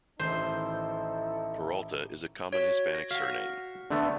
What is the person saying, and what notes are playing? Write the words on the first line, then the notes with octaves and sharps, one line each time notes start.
Peralta is a common Hispanic surname.
A1 D#3 D#4 E4 A4 C5
F#4 C#5
A#6
F#4 F5 F#5
D3 A3 B3